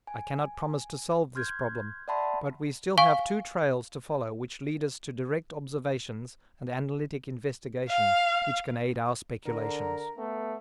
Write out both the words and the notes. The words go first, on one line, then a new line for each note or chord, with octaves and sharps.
I cannot promise to solve this problem, but we still have two trails to follow which lead us to direct observations and analytic investigation which can aid our speculations.
G#5
C6 F6 G6 G#6
D5 E5 F#5 A5 B5 C6
F5 G#5 C#6 G7
F5
D3 A#4 A#5
A3 B3